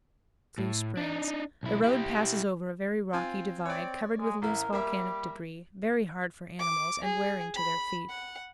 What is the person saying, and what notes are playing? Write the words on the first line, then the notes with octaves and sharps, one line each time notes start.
Slough Springs.--The road passes over a very rocky divide, covered with loose volcanic debris, very hard for animals, and wearing to their feet.
A2
D4 D#4
B1 E4
E4 G4
C4 F4 G#5
C4 C#5 D5
G#3
A1 E4 A#4
G3 A#3 A#4 E5
D6
G#4
B5
F#5